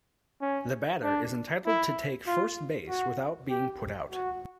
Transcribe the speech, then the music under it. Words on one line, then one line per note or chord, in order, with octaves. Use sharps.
The batter is entitled to take first base without being put out.
C#4
D4
E4
F4
F#4
G4
F#4